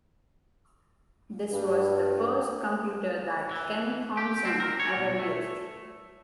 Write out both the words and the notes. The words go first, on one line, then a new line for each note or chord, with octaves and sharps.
This was the first computer that Ken Thompson ever used.
G2
E3
G4
C4
A#4
C#5
B1
A3